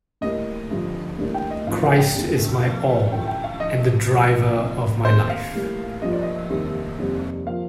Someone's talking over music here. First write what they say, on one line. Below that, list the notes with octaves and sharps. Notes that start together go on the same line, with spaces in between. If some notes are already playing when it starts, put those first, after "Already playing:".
Christ is my all and the driver of my life.
A2 G3 A#3 D#5
G2 D3 F3
A2 G3 A#3 D4
G5
D#5
A1 A2 F3 C4 D#4 F5
F5
G5
F1 D#2 D3
A#1 A#2 F3 F5
A1 G2 D3 F3 G5
G5
F5
A2 F3 A3 D#4 D#5
D2 D3 F3
A#2 F3 C4 D#4
D#2 D#3 A3 C4 D#4 C5
F5
A2 G3 A#3
G2 F3 A#3 F4 D#5
D5
D#5
F1 D#2 D#3 G3 C4
F1 D#2 D#3 G3 C4
F3 A#3 F5